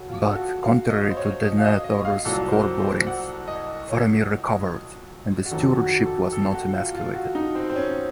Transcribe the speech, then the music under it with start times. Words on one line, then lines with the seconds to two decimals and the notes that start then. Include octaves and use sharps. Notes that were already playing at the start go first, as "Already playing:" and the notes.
But contrary to Denethor's forebodings, Faramir recovered, and the Stewardship was not emasculated.
Already playing: C#3 F3 F#4 A4
0.09 F4
0.31 A4
0.35 F#4
0.63 F5
0.90 D#5
1.10 C5
1.17 C#5
1.44 D#5
1.57 F5
1.64 D#5
1.84 D#5
2.05 F5
2.25 C2 A#2 F#3 A4
2.48 C5
2.52 A#4
2.80 C5
3.07 F#5
3.48 D#5
3.89 C#5
5.46 F#4
5.51 F#1 F2 D#3 F#3 A4
5.79 F#4
6.06 A4
6.33 A4
6.54 F#4
6.73 F4
6.94 F4
7.14 F#4
7.35 D#4
7.55 C4
7.70 C4
7.76 C#4